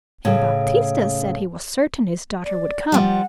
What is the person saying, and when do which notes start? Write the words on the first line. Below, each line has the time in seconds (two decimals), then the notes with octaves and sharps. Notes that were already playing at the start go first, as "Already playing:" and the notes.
And Baptista said he was certain his daughter would come.
0.25 A2 C#3
2.45 D5
2.92 F3 G3 F#5